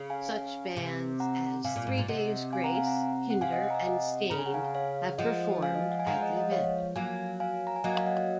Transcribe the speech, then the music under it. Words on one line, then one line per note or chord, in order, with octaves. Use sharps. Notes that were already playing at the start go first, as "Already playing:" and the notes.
Such bands as Three Days Grace, Hinder, and Staind have performed at the event.
Already playing: C#3
F5 G#5
C3
F#5 A#5
C3 F5 G#5
A#2
G#2
A#2
C3 D#5 F#5
F5 G#5
F#5 A#5
F5 G#5
F#5 A#5
F#5
C3 F5 G#5
D#5 F#5
D#5 F#5
A#5
F5 G#5
D#5 F#5
C#3 A#5
G#5
F#5
F5 G#5
C#5 F5
F3 G#3 D#5 F#5
F5 G#5
D#5
F5
F#5
G#5
F3 G#3 F#5 A#5
D#5 F#5
D#5 F#5
C#5 F5
F#3 A#3 F5 G#5
F5 G#5
A#5
G#5
F#3 A#3 D#5 F#5
F5
D#5 F#5